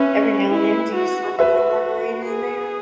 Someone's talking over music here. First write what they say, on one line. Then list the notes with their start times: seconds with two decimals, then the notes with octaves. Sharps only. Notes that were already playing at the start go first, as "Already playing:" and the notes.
Every now and then do you slip a little margarita in there?
Already playing: C#4 B4 E5
0.51 E4
0.95 F#4
1.39 F#4 B4 E5
2.26 G#4